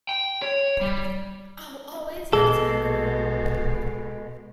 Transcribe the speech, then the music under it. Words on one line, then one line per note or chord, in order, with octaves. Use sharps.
I'll always have time for you.
G5
C#5
G3
A#1 B2 G#3 G#4 A4